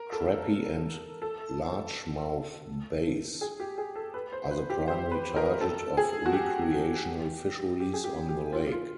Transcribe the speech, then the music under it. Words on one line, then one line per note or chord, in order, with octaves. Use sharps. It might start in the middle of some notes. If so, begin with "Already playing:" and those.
Crappie and Largemouth Bass are the primary target of recreational fisheries on the lake.
Already playing: A#4
A4
A4
G#4
G4
G#4
A4
B4
C5
B4
G4
C5
B4
A#4
A4
G#4
F#4
G4
G4
G#4
G4
G4
F4
F4